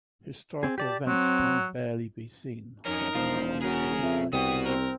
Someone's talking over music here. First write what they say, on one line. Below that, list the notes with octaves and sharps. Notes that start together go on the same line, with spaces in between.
Historical events can barely be seen, but they are obviously influential.
C4 G#4
G4 D5 A5
F#3 C4
F2 C#4 D#4 A#4
E1 F4 C5
C#4 F#4 G#4 A#4
F2 E5
C2 B3 F#4 G5 D#6
C4 A#4